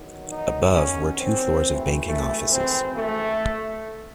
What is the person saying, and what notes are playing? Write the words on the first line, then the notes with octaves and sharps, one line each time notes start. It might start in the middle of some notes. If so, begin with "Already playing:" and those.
Above were two floors of banking offices.
Already playing: E2 D#3 F#3
D#4
C#4
C4
G#1 F#2 E3 A3
A3
C4
A3